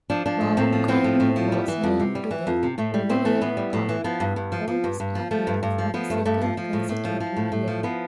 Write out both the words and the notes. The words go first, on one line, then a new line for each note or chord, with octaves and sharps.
Baumgartner was named to the Memorial Cup All-Star Team for the second consecutive year.
F3 D4
F3 D4
A2
A2 C4
F3
F3 C4
A2
A2
F3
G3 B3
E3
F2
C3
G3
E3
F2
C3
A2 A3
G3
A2 C4
E3 A3
A2 B3
G3
A2
E3
F3 B3
G2
G2
F3
F3
G2
G2
F3
F3 A3
G2
G2
F3
F3 B3
G2 A3
G2 A3
F3
F3
A2
A2
F3
F3
A2
A2
F3
F3 B3